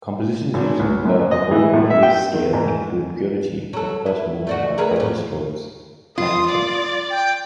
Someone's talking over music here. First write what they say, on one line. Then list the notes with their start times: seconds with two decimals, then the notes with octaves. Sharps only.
Compositions using the Bohlen-Pierce scale include "Purity", the first movement of Curtis Roads' "Clang-Tint".
0.54 G#1
0.80 C#2
1.05 F#2
1.31 D#5
1.51 E3
1.74 A2
1.90 E5
2.03 G5
2.33 D#3
2.53 G#2
3.73 F#3 A4
4.06 E4
4.47 A3 D4 F#4
4.78 G#4 A#4 B4
4.96 D#2 A2
6.18 F4 D#6
6.50 D5
7.10 G5